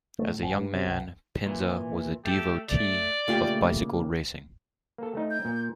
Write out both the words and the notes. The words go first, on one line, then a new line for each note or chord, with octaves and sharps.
As a young man, Pinza was a devotee of bicycle racing.
A3
A2
G#1
G2
C3
B1
A#2 E3
A3 G4 A4
A3 D5
A#2 C#3 A3 A#3 F4 G4
A#3 A4
A3 D#4
G6
A#2